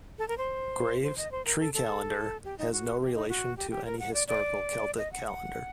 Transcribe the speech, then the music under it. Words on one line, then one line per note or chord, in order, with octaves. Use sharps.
Graves' "Tree Calendar" has no relation to any historical Celtic calendar.
A4
A#4
C5
C5
D#5
C5
A#4
A4
A4
G4
D#4
F#4
G4
D#4
F#4
G4
G4
A#4
F#5
D5
D5
D#5
F#5
F#5